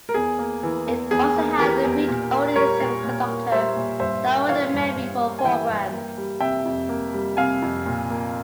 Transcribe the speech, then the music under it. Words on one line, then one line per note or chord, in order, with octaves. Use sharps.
It also had read-only semiconductor diode memory for programs.
A#4
E2 G#4
A#3
E3
E2
E2 G#4
A#3
E3 G4 A#4
E2
A#2
A#3
G3 A#4 C#5
A#2
A#2
A#3
G3 C5 E5
A#2
G2 C5 E5
A#3
G5
E3 C#5 F5
G2
G2
A#3
G#5
E3 E5 G5
G2
A#3
G3
C3 E5 G5
F2
A#3
G3
C3 F5 G#5
F2
A#2
A#3